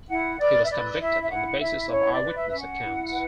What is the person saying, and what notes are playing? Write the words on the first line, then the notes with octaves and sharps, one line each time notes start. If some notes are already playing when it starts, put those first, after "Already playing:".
He was convicted on the basis of eyewitness accounts.
E4 F#5
B4 D5
E5
B4 D5
E4 E5
E5
E4 F#5
E4 E5
C#4 C#5
D5
B4
E5
C#4 E5
F#5
E4
B4